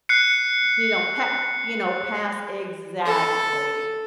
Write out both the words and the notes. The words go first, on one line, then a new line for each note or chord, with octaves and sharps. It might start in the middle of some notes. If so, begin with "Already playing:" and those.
You know, pa you know, pass exactly.
F#6 C7 C#7
A4